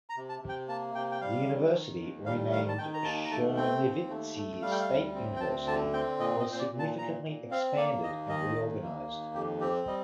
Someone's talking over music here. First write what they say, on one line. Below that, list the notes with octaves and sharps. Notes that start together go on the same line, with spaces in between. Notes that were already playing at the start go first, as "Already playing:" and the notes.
The university, renamed "Chernivtsi State University", was significantly expanded and reorganized.
A#5
C3
A5
C3
G5
A#3 A5
C3 G5
G5
G3 F5
D#3
D#3
D#2
G3 F5
D#3 F5
A5
D#3 G5
A#5
D#2 A5
A#5
A3 A5
C4 G5
D#2
A3
A3
G3 F5
G5
F5
D2
C4
G5
D2 A5
D3 A5
C4 G5
A#2 D#5
D#5
A#2
C5
D5
A#2
A5
A#2 A#5
A#2
C4 F5
A#3 D5
D#2 D#5
D#3 D#5
D#2
A#3
D#2
F2 G4
C4 G4
G3 D#5